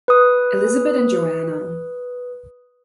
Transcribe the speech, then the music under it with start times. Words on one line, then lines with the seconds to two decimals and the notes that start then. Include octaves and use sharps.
Elisabet and Joana.
0.08 B4 D#6